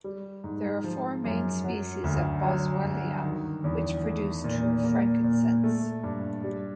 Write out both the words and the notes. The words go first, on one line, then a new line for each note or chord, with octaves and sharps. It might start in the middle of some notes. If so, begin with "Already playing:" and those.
There are four main species of "Boswellia" which produce true frankincense.
G3
G#2
F3
F#2
F#3
D2
F#3
G2
D#3
E2
A3
A#2
A#3
A#2
A3
G2
G3